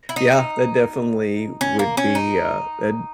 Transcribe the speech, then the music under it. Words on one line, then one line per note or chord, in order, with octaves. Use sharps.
Yeah, that definitely would be, uh, tha
E4
D#4
C#4
A#3
C#4
D#4